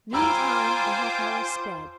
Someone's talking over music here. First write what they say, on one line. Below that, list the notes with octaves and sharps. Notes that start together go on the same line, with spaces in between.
Meantime, the half-hour sped.
F4 C5 G5 G#5 A#5 B5 D6 E6